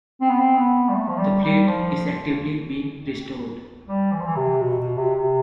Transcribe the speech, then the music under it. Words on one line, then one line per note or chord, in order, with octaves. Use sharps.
The fleet is actively being restored.
C4
B3
C4
B3
G3
A3
F3
G3
G3
F3
G3
E3
F3
E3
C3
B2
B2
C3
C3